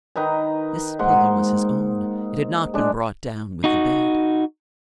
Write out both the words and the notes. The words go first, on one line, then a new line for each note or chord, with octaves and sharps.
This pillow was his own; it had not been brought down with the bed.
D#3 D#4 B4 A#5
G#2 A#3 F#5 C6
G#3 D4
D#4 F#4